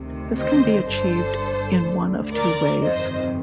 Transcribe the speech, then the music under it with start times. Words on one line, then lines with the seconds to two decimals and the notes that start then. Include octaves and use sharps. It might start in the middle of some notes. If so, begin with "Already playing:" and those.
This can be achieved in one of two ways.
Already playing: D2 C3 D#3
0.38 C5 D#5
0.86 G1 G2 D3 A4 C5
1.85 D2 D3
2.33 A#4 D5
2.82 G1 F2 C3 D#3 C5 D#5